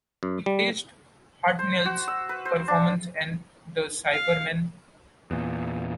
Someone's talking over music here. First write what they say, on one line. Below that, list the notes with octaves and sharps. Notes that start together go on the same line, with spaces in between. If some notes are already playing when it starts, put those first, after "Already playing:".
He praised Hartnell's performance and the Cybermen.
F#2
G3
C5
F#4
E6
B4
C5
D4
F5
E2 A#2